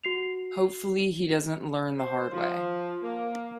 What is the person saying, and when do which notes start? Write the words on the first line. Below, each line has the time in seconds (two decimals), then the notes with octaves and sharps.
Hopefully he doesn't learn the hard way.
0.04 F#4 C7 F7
1.98 C5
2.32 F3
3.03 A#3